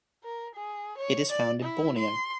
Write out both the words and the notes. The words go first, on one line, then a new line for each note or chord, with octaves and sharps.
It is found in Borneo.
A#4
G#4
C#5
D5
E4
C6